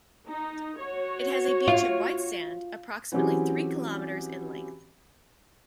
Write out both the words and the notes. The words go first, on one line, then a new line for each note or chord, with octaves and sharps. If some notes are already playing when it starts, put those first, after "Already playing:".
It has a beach of white sand, approximately three kilometres in length.
D#4
F#4 C#5
F4
E3 F#3 C4 C#4 G4 G#4